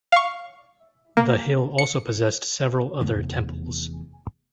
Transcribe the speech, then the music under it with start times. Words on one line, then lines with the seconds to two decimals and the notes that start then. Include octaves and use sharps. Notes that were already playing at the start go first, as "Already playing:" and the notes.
The hill also possessed several other temples.
0.12 F5 C#6
1.17 A#3
1.78 C#7
3.01 F1 E2